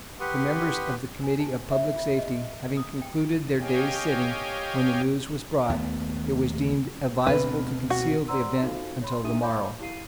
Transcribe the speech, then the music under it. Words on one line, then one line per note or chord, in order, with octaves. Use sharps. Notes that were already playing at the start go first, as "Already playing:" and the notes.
The members of the Committee of Public Safety having concluded their day's sitting when the news was brought, it was deemed advisable to conceal the event until the morrow.
G4 B4 F#5 C6 C#6 D#6
G#5
A5
E5
F4
D#5
D#6
G5
G4 C#5 D#5 F5 G5 G#5
D#2 A3 B3
D2 B2 C4 B4
F#4
C5 D5 F#5 A#5 C6 E6
D#4 F4 F#4 A4 C5 F5
C#5 B5 C6
D4 D#4 G4 E5 D#6 D#7
C#5 F5 B5 D6 G6
E4 G4 F5 C7 D#7